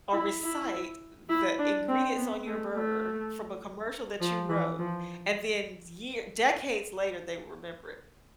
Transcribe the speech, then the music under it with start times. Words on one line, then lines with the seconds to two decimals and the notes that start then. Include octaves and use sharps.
or recite the ingredients on your burger from a commercial that you wrote and then year decades later, they will remember it.
0.12 E4
0.42 E4
1.29 E4
1.59 D4
1.88 C4
2.17 B3
2.46 A3
2.75 A3
4.20 F3
4.49 E3
4.79 F3